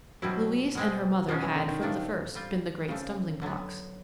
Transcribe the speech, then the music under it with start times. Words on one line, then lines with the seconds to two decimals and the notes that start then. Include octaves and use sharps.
Louise and her mother had, from the first, been the great stumbling-blocks.
0.22 B2 F#3 G3 C4 E4
0.75 B2 G#3 C4
1.28 B2 F3 G#3 C#4
1.42 E3
1.55 D3
1.68 D#3
1.82 A2 F3 A3 D4
2.35 G3 C4 F4
2.88 C#3 F3 A3 C4
3.42 D3 F#3 B3